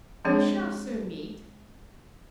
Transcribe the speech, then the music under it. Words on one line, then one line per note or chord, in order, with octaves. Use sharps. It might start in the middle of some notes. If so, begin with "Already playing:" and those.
"We shall soon meet."
F3 G#3 C4 D4 G#4 C#5